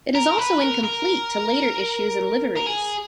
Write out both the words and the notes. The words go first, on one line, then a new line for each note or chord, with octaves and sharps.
It is also incomplete to later issues and liveries.
A#4
B4
A#4
A#4
A#4
G#4